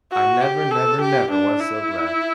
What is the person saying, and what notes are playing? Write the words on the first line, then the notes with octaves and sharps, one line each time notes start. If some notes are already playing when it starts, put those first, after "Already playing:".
'I never, never, never was so glad!
F#4
G4
A4
G4
D4
E4